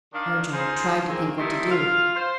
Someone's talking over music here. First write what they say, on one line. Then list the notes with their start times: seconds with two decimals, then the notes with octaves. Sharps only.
Ojo tried to think what to do.
0.13 D#3 D4 F5
0.53 D#4 F4 G#4 C5
1.07 D#3 G#3 A#3 C4
1.38 D#3 G3 A3 C4 D#4 E4
1.71 F4 F5
2.16 C5